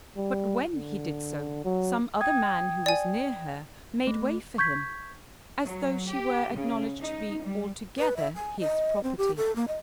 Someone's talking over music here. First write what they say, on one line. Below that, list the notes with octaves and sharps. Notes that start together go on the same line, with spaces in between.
But when he did so, some other man who was near her made way for him, as though she were acknowledged to be altogether his property.
G3
D3
F#3
G5 D#6 G#6
D5 G#5
A3
C#6 G6 G#6 B6
F#3
G4
C#3
D#4
G3
B4
E5
G#5
D#5
C4
G4
A4
A#3
D#5